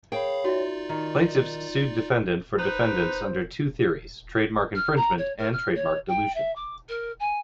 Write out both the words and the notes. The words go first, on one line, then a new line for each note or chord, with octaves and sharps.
Plaintiff's sued Defendant for Defendant's under two theories: trademark infringement and trademark dilution.
G#4 A#4 C#5 F5 G5 B5
D#4 F4 F#4 D5 E5
D#3
D#4 B4 C5
F6
A#5
C#5
A#4
F6
C#5
G5
E5
D6
A#4
G#5